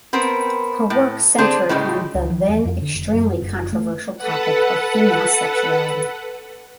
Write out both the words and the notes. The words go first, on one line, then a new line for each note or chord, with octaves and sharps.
Her work centered on the then extremely controversial topic of female sexuality.
B3 C4 A#4
A2
D3 C4 D4 G#4 C5
A2 C#3 G3 G#3
C#2
F3
E2
F2
D3
F1
F#2
F#1
A3
A4 B4 F#5